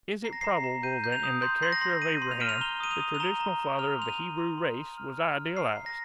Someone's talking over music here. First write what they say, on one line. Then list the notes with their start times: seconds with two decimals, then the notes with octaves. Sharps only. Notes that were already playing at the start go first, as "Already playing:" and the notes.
Is it probable that in the character of Abraham the traditional father of the Hebrew race was idealized?
0.24 A#5 C7
0.33 A#6
0.41 A#5 C7
0.64 A#5
0.83 G6 D#7
1.04 G6
1.12 F7
1.23 D#6
1.42 C6 G6
1.63 C6 C7
1.72 A#6
1.81 C6
2.01 C6 D#7
2.22 C6
2.31 F7
2.40 F6 D#7
2.49 F7
2.61 A#5 G7
2.80 D#6 D#7
2.91 F7
3.00 D#6
3.15 F7
3.20 A#5 G7
3.40 A#5
3.60 A#5
3.79 F6 F7
3.99 C6 F7
4.09 D#7
4.18 C6
4.38 C6
4.58 C6
4.78 C6
4.98 F6
5.17 F6
5.37 F6
5.57 F6 C7
5.77 A#5
5.86 A#6